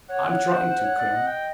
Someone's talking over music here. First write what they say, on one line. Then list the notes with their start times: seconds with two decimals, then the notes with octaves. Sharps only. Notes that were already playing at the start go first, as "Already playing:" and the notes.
"I'm trying to, Colonel."
0.09 C#5 F#5
0.29 C#5
0.48 C5
0.68 C5
0.82 C#5
0.97 D5
1.12 D#5
1.27 G5